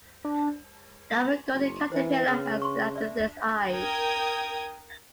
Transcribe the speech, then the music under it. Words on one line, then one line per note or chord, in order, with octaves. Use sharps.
The Irvin Golden Caterpillar has amethyst eyes.
D4
F#1
E3 C5
C#3 B4
C6 C#6
D5 E5
A#4 G5 D#6 G#6